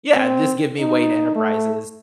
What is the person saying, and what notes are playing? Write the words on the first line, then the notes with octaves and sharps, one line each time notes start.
Yeah. Just give me Wayne Enterprises,
C4
D#4
A3